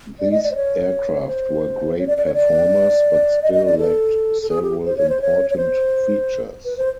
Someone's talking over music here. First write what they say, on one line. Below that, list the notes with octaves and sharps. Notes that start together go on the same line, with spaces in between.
These aircraft were great performers, but still lacked several important features.
D5
D#5
D5
C5
C#5
C5
C#5
D5
D5
C#5
D5
D#5
D#5
D5
A4
A4
G#4
G4
C5
C#5
C5
C#5
C#5
C5
B4
C5